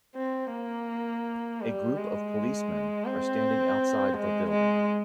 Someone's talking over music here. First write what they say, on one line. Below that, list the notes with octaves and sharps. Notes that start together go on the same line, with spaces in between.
A group of policemen are standing outside of a building.
C4
A#3
G3
G#3
C4
G#3
G#3